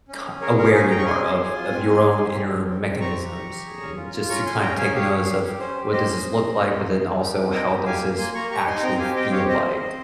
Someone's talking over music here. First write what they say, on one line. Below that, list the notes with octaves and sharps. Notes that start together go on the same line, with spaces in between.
c aware you are of of your own inner mechanisms and just to kind of take notice of what does this look like, but then also how does this actually feel like,
C#4
C#4
G#4 A#4 C#5
C#4 A#4 C#5
G#4 F5 G#5
C#4 G5 A#5
C#6
G#4 G#5 C6
C4
G#4
F4
C4
C4
G#4
C4
G4
C4
C4
C4
C4 A#5 C#6
G4
G4
G4
G#4
C#4
F4
F4
C#4 A#5 C#6
C#4 G#5 C6
C#4 G5 A#5
G#4 F5 G#5
G4 C#5 F5
G4
G4
G4
C#4 C5
G4
G4 C5 D#5
C#4
C4
C4
C4
D#4
C4
D#4
G4
C4
D#4 D#5 G5
G4
G4 F5 G#5
A#3
A#3 G#5 C6
A#3 A#5 C#6
G4 A#5 C#6
D#4 G#5 C6
C4 G5 A#5
G4 F5 G#5
C4 D#5 G5
G4 C#5 F5
C4 C5 D#5
C4
C4